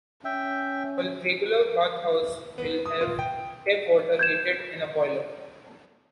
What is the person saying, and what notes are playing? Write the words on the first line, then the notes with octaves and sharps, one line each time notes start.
A regular bathhouse will have tap water heated in a boiler.
C#4 E5 G5
B3
D#6
F4
G5
G6 G#6 E7